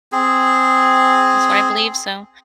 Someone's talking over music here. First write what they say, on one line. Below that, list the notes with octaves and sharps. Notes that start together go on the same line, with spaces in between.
It's what I believe. So
C4 G#4